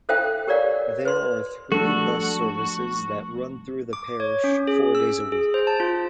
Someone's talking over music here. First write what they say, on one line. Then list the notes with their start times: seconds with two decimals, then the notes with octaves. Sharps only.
There are three bus services that run through the parish, four days a week.
0.09 A4 C5 E5 F5 G5
0.47 G4 A#4 C#5 D5 F5 F#5
1.05 B4 C6
1.72 F3 G3 A3 D4 F#4 A4
3.93 D6
4.20 C#5
4.44 C#4
4.67 G#4
4.95 E6
5.32 G#4
5.54 C5
5.67 A5
5.80 F4